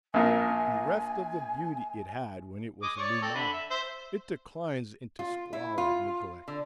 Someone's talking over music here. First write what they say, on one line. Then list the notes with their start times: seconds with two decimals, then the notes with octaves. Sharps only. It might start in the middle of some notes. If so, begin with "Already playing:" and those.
Bereft of the beauty it had when it was a new model, it declines into squalid neglect.
0.14 A#1 A#2 A#4 G#5
2.82 G#3 D6 D#6
2.97 C#5 D5 C#6
3.22 C4 A4
3.35 D3 B5
3.54 E5
3.70 C5 E5
5.19 F4
5.53 E4
5.78 F4
6.48 D3